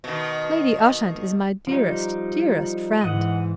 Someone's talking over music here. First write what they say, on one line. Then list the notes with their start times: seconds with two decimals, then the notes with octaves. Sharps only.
Lady Ushant is my dearest, dearest friend.
0.04 B2 D#3
1.67 F3 G3 D#4
3.01 G#2 E3 D#5 F#5